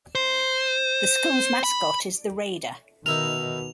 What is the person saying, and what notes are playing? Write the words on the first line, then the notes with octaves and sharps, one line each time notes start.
The school's mascot is the Raider.
C5
B5
B2 D#3 D#4 E4 A#4 F7